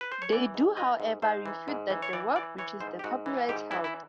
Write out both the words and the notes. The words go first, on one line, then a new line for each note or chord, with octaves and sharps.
They do, however, refute that the work breaches the copyrights held.
B4
C5
C#5
E3 D5
G#2
E3 D#5
G#2
G#2 C5
E3
G#2
E3
C#5
E3 D5
E3 D5
E3 C#5
G#2 C5
G4
G#2 F#4
E3
G#2 G4
E3 E4
E4